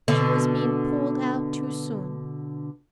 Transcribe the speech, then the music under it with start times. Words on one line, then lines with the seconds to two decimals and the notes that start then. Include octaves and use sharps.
She was being pulled out too soon.
0.08 B2 D3